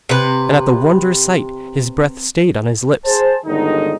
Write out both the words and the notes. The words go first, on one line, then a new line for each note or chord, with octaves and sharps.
And at the wondrous sight his breath stayed on his lips.
C3 B4
G#4 C5 A5
G1 D#2 D3 D#3 G#3 D#4